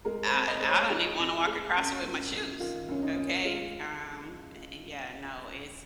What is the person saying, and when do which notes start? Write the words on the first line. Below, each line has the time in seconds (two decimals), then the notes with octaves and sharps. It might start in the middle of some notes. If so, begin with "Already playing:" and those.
I e I don't even wanna walk across it with my shoes. Okay, um, eh, yeah, no, it's
0.05 G#3 A#4
0.26 C5
0.33 F2
0.48 D#5
0.60 G#3 C5
0.69 C#5
0.90 G#3 D#4
1.18 F2
1.47 G#3
1.75 F#2
2.03 F#2
2.32 F#2
2.60 D#3 F4
2.88 F#2 C#4
3.02 D#4
3.17 F#2
3.45 G#3 F4